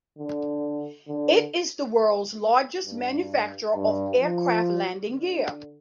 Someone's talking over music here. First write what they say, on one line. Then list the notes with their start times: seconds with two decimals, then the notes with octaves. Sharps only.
It is the world's largest manufacturer of aircraft landing gear.
0.18 D3
1.08 D3
2.86 G2
3.75 G2
4.20 F3
5.09 D3